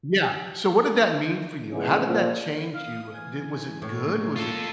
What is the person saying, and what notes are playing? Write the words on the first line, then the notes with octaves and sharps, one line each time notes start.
Yeah. So, what did that mean for you? How did that change you? Did was it good? Was it
A#2 C#3 E3 G#3 B3 C#4
A#2 F3
F5 D#6
E3 G#5
A2 A3 A#3 C#5
F4 A4